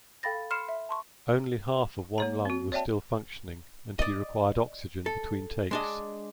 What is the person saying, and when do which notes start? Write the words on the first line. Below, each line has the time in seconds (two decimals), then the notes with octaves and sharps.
Only half of one lung was still functioning and he required oxygen between takes.
0.23 A4 F5 G5 B5 A6 A#6
0.50 B5 C6 F6 C7 C#7 E7
0.69 E5
0.89 A5 C6 C#6
2.18 A#3 C#5 A#5
2.45 C4 F#4
2.72 C#5 D5 E5 G5 A5
3.99 D5 D#5
5.06 A4
5.71 G#3 D4 D#5